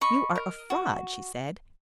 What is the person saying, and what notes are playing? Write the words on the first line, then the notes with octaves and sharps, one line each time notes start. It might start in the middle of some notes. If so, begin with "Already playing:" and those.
"You are a fraud," she said.
D#5 B5 C#6
A#4
F#4